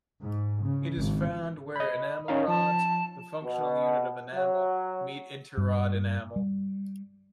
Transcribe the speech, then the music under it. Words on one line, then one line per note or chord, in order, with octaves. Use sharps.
It is found where enamel rods, the functional unit of enamel, meet interrod enamel.
G#2
C#3
G#1
D#5 B5
C#4 D#4 F5
F3 A5
B2
F#3
G2
G3